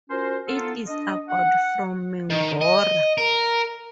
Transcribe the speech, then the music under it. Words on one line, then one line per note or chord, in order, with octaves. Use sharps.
It is about from Mingora.
C#4 F4 F#4 A#4 C5
B3 D#4 F4 A4
D4 D#5
F#5
D#3
D#5
A#4